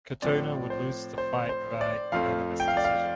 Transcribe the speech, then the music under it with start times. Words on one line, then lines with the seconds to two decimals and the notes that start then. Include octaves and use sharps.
Katona would lose the fight via unanimous decision.
0.22 A2 F3 C4 D5
0.70 C5
1.18 C5
1.49 C5
1.81 D5
2.12 F2 F3 A3 C4 F5
2.60 G5
2.68 F5
2.77 D5
2.84 F5